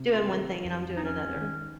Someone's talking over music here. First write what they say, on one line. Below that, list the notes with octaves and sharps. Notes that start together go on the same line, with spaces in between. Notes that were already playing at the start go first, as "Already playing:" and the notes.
doing one thing and I'm doing another.
Already playing: C3
F4
D#3
F2
D#4
C4 C#4
D#3